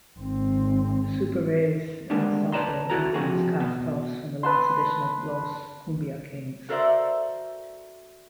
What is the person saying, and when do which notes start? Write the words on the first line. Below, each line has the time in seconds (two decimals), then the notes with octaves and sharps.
The Super Reyes ensemble includes cast-offs from the last edition of "Los Kumbia Kings".
0.19 G#1 C4
2.10 D3 G3 G#3 A#3 D4
2.52 B4 D5 A5 A#5 C6
2.90 E4 F#4 A4 A#5
3.14 C3 F3 F#4 G#4
3.60 B2
4.43 B4 A5 C6
6.69 F#4 A4 A#4 C5 D5 E5